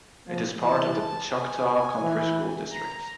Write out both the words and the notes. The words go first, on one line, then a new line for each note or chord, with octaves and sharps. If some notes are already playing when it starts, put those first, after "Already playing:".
It is part of the Choctaw County School District.
F3
E3 A5
G#5
E3
A#5